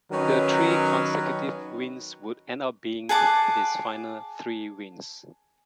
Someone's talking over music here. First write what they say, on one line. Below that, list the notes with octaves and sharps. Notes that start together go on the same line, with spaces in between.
The three consecutive wins would end up being his final three wins.
D#3 F#3 C#4 D#4 B4
G#4 F#5 A5 D6